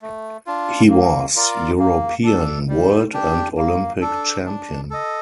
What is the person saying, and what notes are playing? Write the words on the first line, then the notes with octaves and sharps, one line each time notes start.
He was European, World and Olympic champion.
A3
D4 F4
A#3
F4 A#4 D5
A#3
D4 A4
G3
D4 G4
A#3
D4 A4
D4
A4 D#5